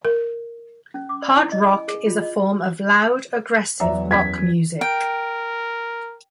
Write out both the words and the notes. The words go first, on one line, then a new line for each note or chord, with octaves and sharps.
Hard rock is a form of loud, aggressive rock music.
A#4
C#4
D6
D5
E4
D#5
G#5
G#4
F4
D#5
E2 F#3 D5 E5 A#5
F#2 G#6 B6
A#4 G5